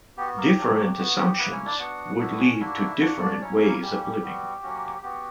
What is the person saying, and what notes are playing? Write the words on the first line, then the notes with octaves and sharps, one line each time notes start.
Different assumptions would lead to different ways of living.
B3 F#4 G4
F#4
A#3 A#4
G4
F#3 A#3 D4 F#4
B3 F#4
G4
A#3 B3 E4 B4
C#4 C#5
D4 D5
B3 D4 F#4 F#5
B3 D4 E4 F#4 E5
C#4 C#5
A#3 D4 E4 F#4 E5
A#3 D4 F#4 F#5
D4 D5
F#3 C#4 E4 C#5
A#3 A#4
G3 A#3 C#4 G4
G3 B3 F#4
F#3 A#3 C#4 F#4
B3 F#4 G4